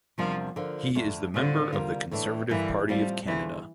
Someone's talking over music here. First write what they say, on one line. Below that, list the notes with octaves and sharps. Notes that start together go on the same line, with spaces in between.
He is the member of the Conservative Party of Canada.
E2 C3 F3 G3 A#3 D4
D3 F3 A#3
F2 D3 A3
A2 D3 G3 C4 F4
C3 G3 A#3 F4
A2 E3 A3 D4
G2 D3 E3 G3 A#3
A2 F3 G3 A3 C4 F4
E2 D3 E3 F3